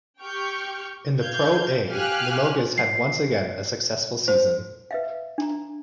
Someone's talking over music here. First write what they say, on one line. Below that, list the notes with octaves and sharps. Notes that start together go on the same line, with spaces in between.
In the Pro A, Limoges had once again a successful season.
G4 G5 C#6 F6 G6
F5 G6 G#6
G4 F5 G#5 F6 F#6
C7
C5
B4 E5 F5
D4 A#5